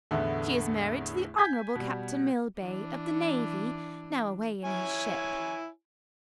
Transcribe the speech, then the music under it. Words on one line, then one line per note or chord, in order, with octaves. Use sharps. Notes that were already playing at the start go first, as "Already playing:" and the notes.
She is married to the Honorable Captain Millbay, of the Navy, now away in his ship.
E2 A2 D3 A3 B3
G#5 G6 G#6 B6
B2 G3
E3 D4
E4 C#5 G#5